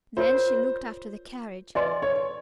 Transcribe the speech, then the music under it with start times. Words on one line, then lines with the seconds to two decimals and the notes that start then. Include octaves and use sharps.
Then she looked after the carriage.
0.17 F4 A#4 C5 C#5
1.75 B4 D5 D#5 G#5 C6
2.02 C#5